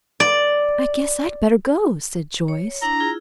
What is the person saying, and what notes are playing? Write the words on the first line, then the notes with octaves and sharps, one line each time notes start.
"I guess I'd better go," said Joyce.
D5
C#5
D4 E4 A#5
E4 F4 G#4